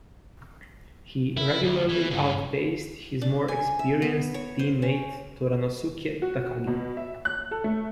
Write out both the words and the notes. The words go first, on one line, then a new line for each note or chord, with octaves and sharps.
He regularly out-paced his more experienced teammate Toranosuke Takagi.
E4
D2
E3
G2 C#3
D4
G#5
E5
B3
C#5
C5
C#4
F#4
B2
E5
F#6
A4
A3